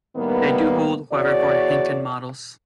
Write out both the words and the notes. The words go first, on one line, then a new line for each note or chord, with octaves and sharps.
They do hold however for Henkin models.
A2 D#3 G3 A#3 B3
E2 F#4 G#4 C#5 D5